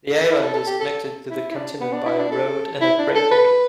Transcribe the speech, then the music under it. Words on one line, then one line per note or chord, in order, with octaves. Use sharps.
The island is connected to the continent by a road and a breakwater.
E4
A4
A4
G4
A4
E4
E4
D4
B3
D4
E4
D4
A4
E4
D4
A4
B4